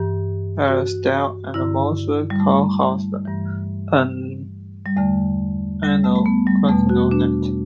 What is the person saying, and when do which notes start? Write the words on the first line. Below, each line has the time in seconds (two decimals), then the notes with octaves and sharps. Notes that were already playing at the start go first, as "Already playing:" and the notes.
Ezra Stiles and Morse co-host an annual Casino Night.
Already playing: G2 E3 G4
0.68 F#4
1.54 G2 D3 E4
2.30 G3
2.40 A3
3.25 G2 E3
4.86 G3
4.97 E2 D3 A3
5.83 G3
6.04 A3
6.15 A3
6.26 B3
6.47 G3
6.69 E2 B2 A3
6.89 F#4
7.11 D4